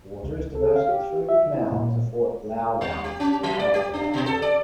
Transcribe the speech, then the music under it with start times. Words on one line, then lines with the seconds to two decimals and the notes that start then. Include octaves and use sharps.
Water is diverted through the canal to Fort Loudoun for power production.
0.23 C#2
0.55 A4
0.76 F5
0.89 G4
1.29 E5
1.54 E4
1.72 A#2
2.81 G3
3.04 G4
3.20 C#4
3.43 F#3
3.59 D5
3.74 G4
3.93 D4
4.14 B2
4.26 A4
4.42 D5